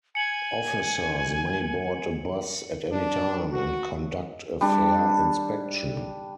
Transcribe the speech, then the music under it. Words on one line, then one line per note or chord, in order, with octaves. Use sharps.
Officers may board a bus at any time and conduct a fare inspection.
G#5 C#7 F#7
D4
F#4
G3 D4